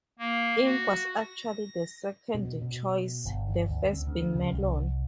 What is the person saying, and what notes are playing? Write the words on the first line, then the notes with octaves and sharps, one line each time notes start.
Ink was actually the second choice, the first being "Melon".
A#3
F#4
A#6
B2
B2
G1
D2
C4
D2
C#3
C2